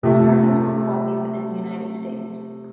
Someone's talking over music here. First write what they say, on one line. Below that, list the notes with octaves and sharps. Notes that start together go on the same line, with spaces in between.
The song has sold copies in United States.
C3 F3 A3